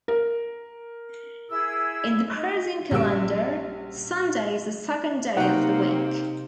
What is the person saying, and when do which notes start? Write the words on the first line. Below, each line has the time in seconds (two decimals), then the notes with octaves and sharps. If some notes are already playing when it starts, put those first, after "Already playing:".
In the Persian calendar, Sunday is the second day of the week.
0.08 A#4
1.49 E4 G#4 E6
2.36 D#4
2.91 A#1 F#2 G3 F#4 E6 D7
5.37 C3 A#3 D#4 F#5 G5